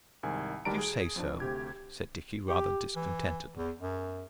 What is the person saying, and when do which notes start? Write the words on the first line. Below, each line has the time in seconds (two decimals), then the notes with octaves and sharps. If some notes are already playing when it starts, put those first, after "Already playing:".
"If you say so," said Dickie rather discontentedly.
0.23 C2 G#2 D#3 G#5
0.65 D2 D#3 G3 A5 A#5 D7
0.78 G#4
1.16 F2 F3 D4
1.40 D2 C3 G4 G#6
2.49 G4
2.96 E3
3.57 E2
3.79 F#2